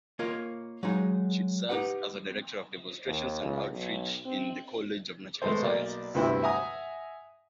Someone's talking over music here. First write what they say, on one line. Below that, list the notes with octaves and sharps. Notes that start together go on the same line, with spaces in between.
She serves as Director of Demonstrations and Outreach in the College of Natural Sciences.
A#3 F4 A#4 C#5 D#5
F#3 G#3 D#4
D#4 G4 B4 F#5
D#2
C#2
B1
C4
G#3 A3 B3 A4 C5
B1 A#3 D5
D2 G2 C3 B3 E4 G5
E5 F#5 G#5 A#5 D#6